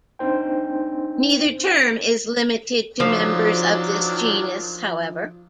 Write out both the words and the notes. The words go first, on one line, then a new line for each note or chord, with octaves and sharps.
Neither term is limited to members of this genus, however.
C4 D4 D#4 C5 G5
D#3 F3 F#3 D4